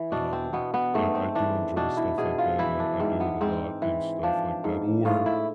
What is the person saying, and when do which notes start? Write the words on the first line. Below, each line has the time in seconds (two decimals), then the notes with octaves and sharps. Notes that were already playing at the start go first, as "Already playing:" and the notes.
Um, I I do enjoy stuff like that and I I do it a lot and stuff like that. Or
Already playing: E3
0.12 B2 D4
0.33 C4
0.53 B2 B3
0.74 B3
0.94 G#2 A3
1.15 C4
1.35 E3 D4
1.76 B2 D4
1.97 E4
2.18 B2 G#4
2.38 F4
2.59 E3 E4
2.80 D4
3.00 G#2 C4
3.20 B3
3.41 G#2 C4
3.82 E3
4.23 F3 D4
4.64 G#2
5.05 A2 F4
5.26 E4